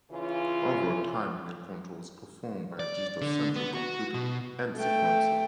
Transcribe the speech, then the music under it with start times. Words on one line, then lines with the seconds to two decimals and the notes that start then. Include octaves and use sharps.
Overall timing and control was performed by a digital Central Computer and Sequencer.
0.12 C#3 E3 C#4 F4
2.79 D5
3.22 D3
3.56 B3
3.75 F#4
4.14 B2
4.76 A3 G5